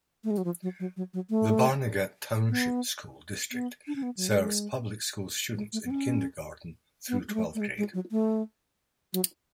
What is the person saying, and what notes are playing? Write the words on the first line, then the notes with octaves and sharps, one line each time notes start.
The Barnegat Township School District serves public school students in Kindergarten through twelfth grade.
A3
G#3
F#3
F3
F#3
F#3
F#3
F#3
A3
B3
B3
D4
C#4
B3
F#3
G#3
G#3
A3
B3
C#4
B3
G#3
A3
A3
G#3
G#3
F#3
A3
F#3